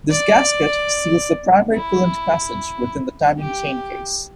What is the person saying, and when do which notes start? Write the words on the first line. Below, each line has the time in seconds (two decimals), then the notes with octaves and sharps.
This gasket seals the primary coolant passage within the timing chain case.
0.10 D5
1.75 E4
3.39 G4